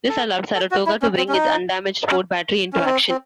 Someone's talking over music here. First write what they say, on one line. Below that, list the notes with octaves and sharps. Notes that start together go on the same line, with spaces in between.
This allowed "Saratoga" to bring its undamaged port battery into action.
A4
A4
F#4
E4
C#4
C4
C#4
D#4
C#4
C#4
C4
C4